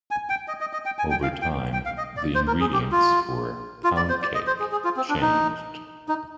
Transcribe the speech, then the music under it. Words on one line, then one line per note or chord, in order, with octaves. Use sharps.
Over time the ingredients for pound cake changed.
G#5
G5
D#5
D#5
D#5
G5
G#5
G5
F5
G5
G5
F5
D#5
D5
C5
A#4
G#4
G4
F4
F4
D5
C5
D5
D#5
C5
G#4
G#4
F4
C4
D4
D#4
D#4